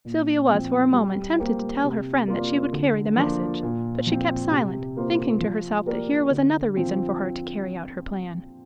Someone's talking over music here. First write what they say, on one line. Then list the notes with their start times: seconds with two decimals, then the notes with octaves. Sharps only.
Sylvia was for a moment tempted to tell her friend that she would carry the message, but she kept silent, thinking to herself that here was another reason for her to carry out her plan.
0.05 A#2
0.49 F3 C4
0.93 G3
1.39 A#3 G4 C5
1.84 C3
2.28 A#3 F4 D5
2.73 D3
3.17 F3 A#3 D4 F4
3.63 A#2
4.07 F3 C4
4.51 C3
4.97 A#3 F4 C5
5.41 F3
5.86 A#3 G4 A#4 D5
6.30 D3
6.76 F3 C4 F4